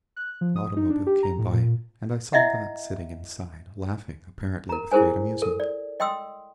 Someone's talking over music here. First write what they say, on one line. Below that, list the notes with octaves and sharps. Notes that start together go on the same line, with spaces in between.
An automobile came by, and I saw Gotz sitting inside, laughing apparently with great amusement.
F#6
F3
D#6
D#4
D4
G4
A#5
A2
A#2
E4 D#5 E5 F#5
A#4 A#5
E4 G#4 A#4 C5 G#5
A4 A#4
D5
D#5 G5 C6 D#6 E6